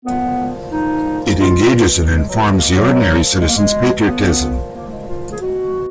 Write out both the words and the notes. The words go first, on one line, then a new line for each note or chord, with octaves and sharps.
It engages and informs the ordinary citizen's patriotism.
A#2 F3 B3
A#2 F3 D#4
D#4
B2 F4
B2 D#4
G#3
F#3
G#3
A#3
A#2 F3 F#3
B2 G#3
A#3
G#3
A#2 F3 B3
A#2 F3 A#3
G#3
F4
G#4
B2 F#4